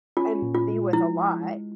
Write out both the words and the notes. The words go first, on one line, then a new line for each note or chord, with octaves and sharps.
and be with a lot.
C#4 F4
A#2
F4
G#3
F3 E4
G#3
G#3